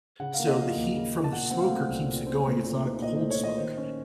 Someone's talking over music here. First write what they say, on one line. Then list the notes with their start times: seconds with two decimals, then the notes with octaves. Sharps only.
so the heat from the smoker keeps it going it's not a cold smoke,
0.20 C#3 F#5
0.34 F5
0.39 A#3
0.47 D#5
0.58 F3 F5
0.76 D#2
0.95 C#3
1.14 A#3
1.24 A5
1.32 A#2 F#5
1.50 C4 F#5
1.61 F5
1.70 A3
1.89 C2
2.07 A#2
2.26 C4
2.45 A3
2.64 A#2
2.84 D#4
3.01 A#2 D#5
3.16 A3 C5
3.31 C#5
3.40 A#2 D#5
3.58 D#3 C5
3.77 C#4